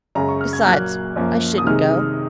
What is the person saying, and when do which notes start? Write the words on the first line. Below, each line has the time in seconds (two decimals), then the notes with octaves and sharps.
Besides, I shouldn't go.
0.15 F#2 C#3 G#3 A#5
0.29 C#6
0.41 F6
0.53 G#6
0.66 A#2 F#3 A#3 F#6
1.16 F#2 F3 A#3
1.58 D#6
1.67 C3 D#3 G#3 F6